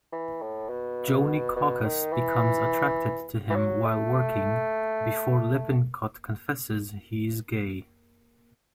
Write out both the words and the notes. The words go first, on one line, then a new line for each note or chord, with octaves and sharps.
Joanie Caucus becomes attracted to him while working before Lippincott confesses he is gay.
E3
A2
B2
B2
D#3
E3
E3
F#3
A3